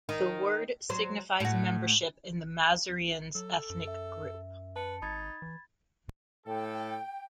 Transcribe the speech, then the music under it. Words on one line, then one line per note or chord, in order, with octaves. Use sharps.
The word signifies membership in the Masurians ethnic group.
D#3
F#3 C5
A2 F#4
F#3 A4
F#2
E5
B4 A5 C#7
G#1 D#4 B5 G#6 A6
E3
A2 A4 G5